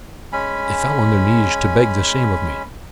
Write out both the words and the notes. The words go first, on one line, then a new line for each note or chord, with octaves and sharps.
They fell on their knees to beg the same of me.
G#3 C#4 G#5 B5